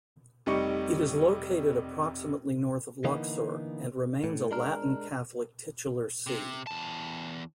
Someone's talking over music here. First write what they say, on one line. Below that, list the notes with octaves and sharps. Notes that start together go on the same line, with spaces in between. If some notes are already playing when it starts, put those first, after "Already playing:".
It is located approximately north of Luxor and remains a Latin Catholic titular see.
F1 C3 G3 D#4 C#6 C#7
D3 E3 A#3 B3 D#4
A2
G#3 D4 A#4
C3
E2 A5